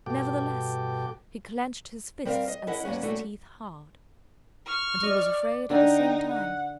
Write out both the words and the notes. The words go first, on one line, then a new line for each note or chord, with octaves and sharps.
Nevertheless, he clenched his fists and set his teeth hard. And he was afraid at the same time.
G2 B2 F#4 A4 G5 D6
G3 C4 A#4 C5 F5
D#5
C#4 E4 A#4 D#5 F#5
G2 A#3 C#4 F#5
G3 A3 A#3 C#4 E4 F#4
C#6 F6
D5 D#5
D3 D#4 G5
F#5